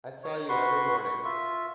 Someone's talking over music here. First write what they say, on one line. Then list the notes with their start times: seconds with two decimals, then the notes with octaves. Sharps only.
I saw you every morning.
0.23 C#5
0.49 F#4 B4 C6 C#6
1.24 F4 E5